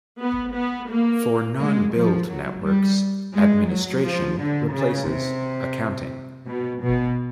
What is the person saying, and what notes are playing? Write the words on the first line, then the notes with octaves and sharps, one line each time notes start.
For non-billed networks, "administration" replaces "accounting".
B3
B3
A#3
G#3
F3
F#3
G3
G#3
F#3
F3
D3
C#3
C3
B2
B2